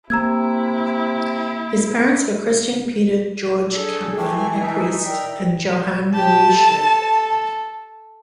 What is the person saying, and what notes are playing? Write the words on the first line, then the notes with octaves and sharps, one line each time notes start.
His parents were Christian Peter Georg Kampmann, a priest, and Johanne Marie Schmidt.
C3 A#3 E4 A#5 E6 G#6
D4 G#4 A4
E3 A3 G4 G#5 A5
D#4 E5
A#4 D5 G5
G4 A5
A4